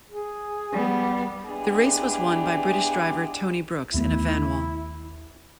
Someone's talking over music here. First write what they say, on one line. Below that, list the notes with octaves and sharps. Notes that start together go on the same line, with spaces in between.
The race was won by British driver Tony Brooks in a Vanwall.
G#4
G3 B3
G#3 B3 D4 E4 G4 G#4
D#2 A3 B3 E4